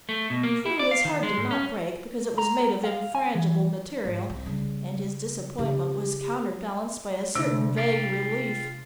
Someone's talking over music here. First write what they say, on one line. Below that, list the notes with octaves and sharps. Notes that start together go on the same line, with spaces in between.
True, his heart did not break, because it was made of infrangible material, and his disappointment was counter-balanced by a certain vague relief.
A3
B2
A#3
E4
D5
F5
D#3
G#3
G#2
C#4
A#5
F5
G#5
E3
G#2
C2
C#3 G3
C#3 E4 G4
D2 C3 D4
F4 G4